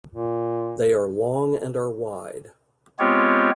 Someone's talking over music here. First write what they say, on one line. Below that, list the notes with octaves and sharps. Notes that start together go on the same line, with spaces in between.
They are long and are wide.
A#2
G#3 B3 C4 F4 G4 C#5